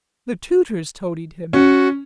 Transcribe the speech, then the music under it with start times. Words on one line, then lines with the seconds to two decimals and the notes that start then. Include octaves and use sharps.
The tutors toadied him.
1.53 C#4 F#4